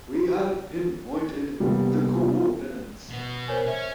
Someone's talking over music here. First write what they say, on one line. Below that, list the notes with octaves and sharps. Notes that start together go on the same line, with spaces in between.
We have pinpointed the co-ordinates.
C3 G3 A#3 B3
B2 B3
A#4 C5 C#5 G#5
C#4 E5